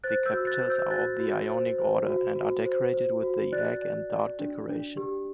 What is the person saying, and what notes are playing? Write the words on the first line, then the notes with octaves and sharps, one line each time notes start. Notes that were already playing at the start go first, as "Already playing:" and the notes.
The capitals are of the Ionic order and are decorated with the egg-and-dart decoration.
C5 F#6 A6
E6 G6
F#4
F#6 A6
C5
E6 G6
F#4 F#6 A6
F#4
C5
C5
F#4
F#4
C5
C5
F#4
D5 F#6 A6
D5
D5
D4
D4
G4